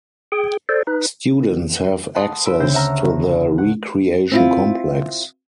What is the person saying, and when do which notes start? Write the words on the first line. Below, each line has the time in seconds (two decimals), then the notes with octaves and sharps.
Students have access to the recreation complex.
0.32 G#4 G5
0.69 A4 C5 D5
0.87 D#4 B4
2.15 F#5 A5 B5 C6 D#6
2.45 B5 E6 D7
2.60 D2 C#3 C4 C5 G6
2.74 E5 F#5 A#5 B5 E6 F6
3.58 F#5
4.31 C4 E4 F4